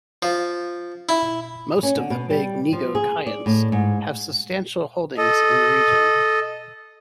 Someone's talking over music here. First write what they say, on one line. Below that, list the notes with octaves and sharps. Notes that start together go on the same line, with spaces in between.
Most of the big negociants have substantial holdings in the region.
F3
E4
C#4
D3
B2
G3
F3
G#4
D5
A2
G#2
A4 D#5